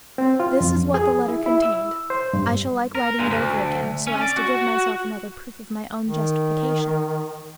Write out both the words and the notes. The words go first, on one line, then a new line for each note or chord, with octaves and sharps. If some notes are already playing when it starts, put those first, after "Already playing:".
This is what the letter contained; I shall like writing it over again, so as to give myself another proof of my own justification.
C4
F4
F2
G#4
E4
E4
E6
C5
G2
A#4
G2 G#3
D2
C#4
D5
F#4
D#3